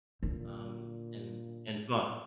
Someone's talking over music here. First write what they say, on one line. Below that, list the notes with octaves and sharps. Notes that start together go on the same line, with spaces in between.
um, and and fun.
A#2 D3